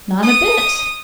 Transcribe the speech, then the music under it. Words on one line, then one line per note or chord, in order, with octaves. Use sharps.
'Not a bit.
D#6